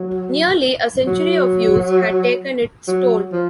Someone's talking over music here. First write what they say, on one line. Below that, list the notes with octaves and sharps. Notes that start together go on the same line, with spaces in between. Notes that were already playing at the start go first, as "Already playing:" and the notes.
Nearly a century of use had taken its toll.
Already playing: F#3
F#3
F#3
F3